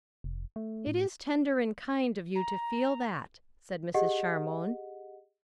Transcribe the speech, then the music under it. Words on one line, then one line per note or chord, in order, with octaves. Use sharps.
"It is tender and kind of you to feel that," said Mrs. Charmond.
F1
A3
A2
A#5
G4 G#4 D#5 F#5